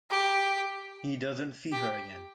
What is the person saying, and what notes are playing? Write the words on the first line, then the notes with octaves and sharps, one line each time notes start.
He doesn't see her again.
G4
G4